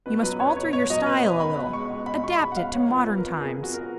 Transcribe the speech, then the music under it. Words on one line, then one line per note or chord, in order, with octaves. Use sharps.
You must alter your style a little,--adapt it to modern times.
B2 B4
F#3 B4
B3 C#5
B2 C#5
B2 C#5
F#3 D#5
B3 B4
B2
C#2 B5
B2
G#3 C#6
C#2
C#2 B5
B2 C#6
G#3 B5
F#5
C#2 F5
F2 C#5
F3 B4
B3
A#4
F2
F2 G#4
F3
F#4
B3 A#4